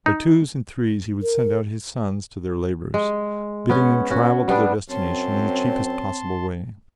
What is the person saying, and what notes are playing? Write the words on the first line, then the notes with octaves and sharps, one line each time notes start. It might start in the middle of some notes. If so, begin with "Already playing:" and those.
By twos and threes he would send out his sons to their labors, bidding them travel to their destination in the cheapest possible way.
D#4
A#4
G#3
B3 C#4
C#4 F#4
G3 B3 D4
F#2 C4 C#5 A5 C6